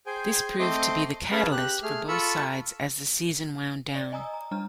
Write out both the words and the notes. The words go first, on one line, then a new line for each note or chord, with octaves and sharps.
This proved to be the catalyst for both sides as the season wound down.
G#4 C5 G5 G#5
A3 C4 C5 D#5 C6 D6
C#4 G#4 B4 F5 A5
G4 F#6
A3 G#4 F6
F4 A4 B5 C#6 E6
D5
D#5 G#5 A#5 D#6 E6
A#5
G3 D4 A#5 F6